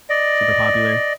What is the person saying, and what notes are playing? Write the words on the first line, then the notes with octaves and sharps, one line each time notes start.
Super popular.
D5 D#5